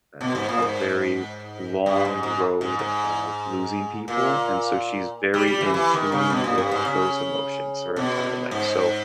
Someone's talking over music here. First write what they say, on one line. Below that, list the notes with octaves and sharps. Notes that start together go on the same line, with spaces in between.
a a very long road of losing people, and so she's very in tune with those emotions her entire life, so
B2
G#2
A#2
G#2
G2
G#2
G#2
G#2
G#2
A#2
G3
G3
E3
E3
D#3
C#3
B2
A#2
G2
G#2
C#3
B2
G#2